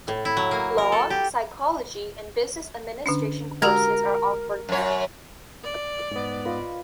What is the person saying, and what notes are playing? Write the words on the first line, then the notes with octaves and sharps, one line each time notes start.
Law, Psychology and Business Administration courses are offered there.
A2
E4
F#3
A#3
A#4
A4
G4
D3 C#4 D4
G#3 F#4 G4 A#4
F#2 C#5
D5
G#2 B3 D#5
F4 B4 D#5